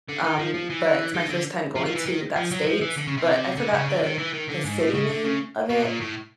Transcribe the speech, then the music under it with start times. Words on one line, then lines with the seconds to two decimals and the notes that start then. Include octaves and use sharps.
um, but it's my first time going to that state, but I forgot the the city name of it.
0.09 D3
0.24 D#3
0.39 F3
0.54 F3
0.70 E3
1.14 D#3
1.30 D3
1.76 F3
1.86 F3
1.95 E3
2.06 D#3
2.36 F3
2.51 F#3
2.66 F3
2.81 E3
2.97 D3
3.07 C#3
3.17 C3
3.57 D3
3.73 C#3
3.88 D3
4.03 D#3
4.18 E3
4.33 D#3
4.48 D3
4.64 G#2
4.79 A2
4.94 C#3
5.09 D3
5.24 C#3
5.69 B2
5.85 A#2
6.00 A2